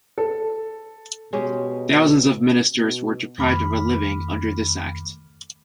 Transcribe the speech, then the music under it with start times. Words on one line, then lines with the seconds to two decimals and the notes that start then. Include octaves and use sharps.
Thousands of ministers were deprived of a living under this act.
0.18 A4
1.33 B2 G#3 C#4 G4
2.76 B2
3.38 F2 D#3 A3 B5 D6 F6